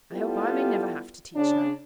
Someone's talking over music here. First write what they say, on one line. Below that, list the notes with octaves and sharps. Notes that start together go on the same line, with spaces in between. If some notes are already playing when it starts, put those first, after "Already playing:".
"I hope I may never have to teach her."
G3 B3 E4 F4 G4 A4
C#3 D4